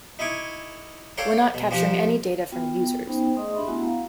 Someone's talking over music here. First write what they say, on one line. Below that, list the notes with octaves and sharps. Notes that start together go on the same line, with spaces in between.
We're not capturing any data from users.
D#4 E4 G#5 C#6 D6
A4 C#5 D5 F5 G5 A#5
B2
F3 D4 G4
B3 F4 F#4 G5
B3 C#4 D#4 C5 G5
A3 G#4 D5 D#5 C6 D#6
D4 G4 E5 B5 C6
A3 B3 E4 F#4 F#5 G#5
F5 A#5